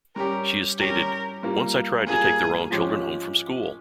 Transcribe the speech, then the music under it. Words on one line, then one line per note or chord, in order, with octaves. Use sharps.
She has stated, Once I tried to take the wrong children home from school!
G3 C#4 G4 A#4
G3 C#4 G4 A#4
G3 A#3 F4
G3 A#3 F4 G#4
F3 G#3 C#4 G4